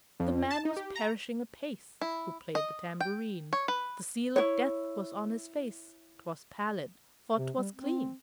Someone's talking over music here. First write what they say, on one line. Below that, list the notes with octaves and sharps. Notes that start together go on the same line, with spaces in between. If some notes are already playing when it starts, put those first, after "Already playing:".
The man was perishing apace Who played the tambourine; The seal of death was on his face-- 'Twas pallid, for 'twas clean.
F2
A5
D#4
G4
A#5
E4
D#5
G5
C#5
B4
E4 C#5
C3
G3
C4